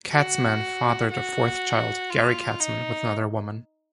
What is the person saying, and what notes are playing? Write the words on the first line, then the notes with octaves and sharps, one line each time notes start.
Katzman fathered a fourth child, Gary Katzman, with another woman.
F#4
F#4
F4
D#4